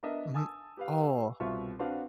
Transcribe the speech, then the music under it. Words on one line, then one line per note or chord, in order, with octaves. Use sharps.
Mhm oh.
B3 D4 A#4 D#5 E5
G#5 A5 D#6 E6
G4 B4 F5
C2 B2 C4 F4 E5 C#6
C4 D4 F#4 B4 F5